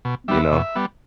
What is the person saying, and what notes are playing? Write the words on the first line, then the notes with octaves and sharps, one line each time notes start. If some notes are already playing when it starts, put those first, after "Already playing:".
you know?
B2
G3 B3 E5
B2
G3 B3